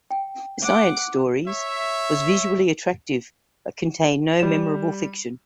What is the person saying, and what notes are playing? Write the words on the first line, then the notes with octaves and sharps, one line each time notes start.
"Science Stories" was visually attractive but contained no memorable fiction.
G5
F#5 D6
C#5 E5
G3 E7